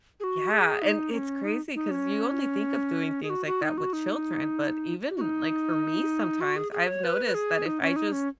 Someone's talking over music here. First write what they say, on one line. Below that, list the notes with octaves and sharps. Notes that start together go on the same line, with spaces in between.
Yeah, and it's crazy 'cause you only think of doing things like that with children, but even, like, for me sometimes, I've noticed that if I just
G#4
F#4
G#4
D#4
C#4
D#4
D#4
C#4
G#4
F#4
F#4
D#4
F#4
D#4
F#4
D#4
F#4
G#4
G#4
C#5
B4
B4
G#4
D#4
C#4
D#4
C#4